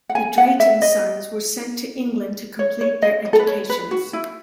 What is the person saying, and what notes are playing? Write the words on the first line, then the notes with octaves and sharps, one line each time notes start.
The Drayton sons were sent to England to complete their educations.
F#5
G#5
F#5
E5
D#5
C#5
C#5
D#5
D#5
A4
B4
C#5
B4
F#4
E4